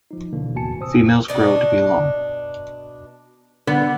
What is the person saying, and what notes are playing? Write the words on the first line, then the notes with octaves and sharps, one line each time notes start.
Females grow to be long.
F3 D#4
B2 D3 E3 A#3 D4
A2 B3 F#4 G#5 A5 C#7
G2 C3 C5 D#6 E6
B2 D4 D#4
D3 B3